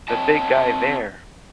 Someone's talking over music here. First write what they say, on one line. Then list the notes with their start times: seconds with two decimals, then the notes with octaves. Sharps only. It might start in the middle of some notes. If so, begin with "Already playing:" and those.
The big guy there!
0.08 C4 C#5 D#5 A5